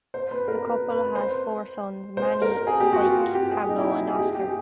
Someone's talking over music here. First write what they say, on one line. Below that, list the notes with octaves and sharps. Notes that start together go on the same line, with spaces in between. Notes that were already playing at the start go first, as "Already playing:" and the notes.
The couple has four sons, Manny, Ike, Pablo, and Oscar.
C5
B4
A#4
B4
B4
C5
C5
A#4
G#4
G4
F#4
F4
F#4
G4
G#4
D#4
E4
D#4
G#4
G4
G4
G#4